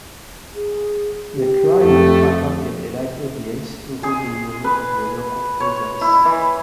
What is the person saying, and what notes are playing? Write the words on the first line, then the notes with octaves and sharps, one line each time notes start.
The trial attracted a large audience, including many of the local peasants.
G#4
G4
F2 A3
G#4
B4
C#5
E4
E3